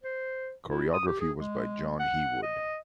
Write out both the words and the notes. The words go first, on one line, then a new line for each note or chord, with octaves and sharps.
Choreography was by John Heawood.
C5
E4
D#6
G4
G#4
G#3
F#5
D#5